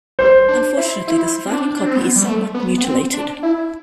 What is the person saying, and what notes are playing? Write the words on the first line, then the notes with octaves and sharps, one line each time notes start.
Unfortunately the surviving copy is somewhat mutilated.
G3 C5
D4
E4
E4
C4
D4
D4
C4
B3
G3
A3
B3
B3
C4
D4
E4